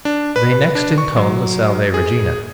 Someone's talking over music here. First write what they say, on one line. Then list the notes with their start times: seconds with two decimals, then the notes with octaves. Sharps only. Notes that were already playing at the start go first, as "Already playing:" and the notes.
They next intoned the Salve Regina.
0.05 D4
0.36 B4
0.75 D4
0.98 C#6
1.16 F#3
1.94 G#4